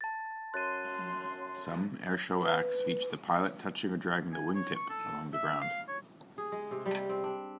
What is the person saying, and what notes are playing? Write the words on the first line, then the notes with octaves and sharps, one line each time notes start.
Some airshow acts feature the pilot touching or dragging the wingtip along the ground.
A5 A6
F#2 C6 F#6 A6 D#7
B4
G#5
C#5
C#6
A4
E5
F5
C#5
G#4
G#3
C3
G3
C4
D4